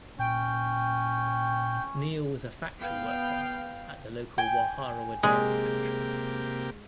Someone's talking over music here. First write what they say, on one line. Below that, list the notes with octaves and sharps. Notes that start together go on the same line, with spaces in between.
Neil was a factory worker at the local Waharoa dairy factory.
A#2 C#4 G5
B3 F5 G5
G5 G#5
C3 G#3 A#3 G4